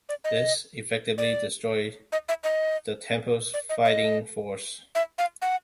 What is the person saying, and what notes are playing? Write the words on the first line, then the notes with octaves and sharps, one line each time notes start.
This effectively destroyed the temple's fighting force.
D5
D#5
D5
D#5
E5
D#5
D5
D#5
D#5
E5
F5
F#5